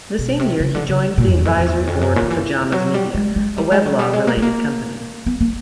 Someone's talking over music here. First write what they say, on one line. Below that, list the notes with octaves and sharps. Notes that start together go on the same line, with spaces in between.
The same year he joined the advisory board of Pajamas Media, a weblog-related company.
B2
C3
C#3
D3
C#3
A#2
E2
F2
F2
E2
F2
F#2
A#2
D#3
E3
F#3
G3
G#3
G#3
G3
G#3
F#3
G3
G#3
A#3
A3
A#3
B3
A#3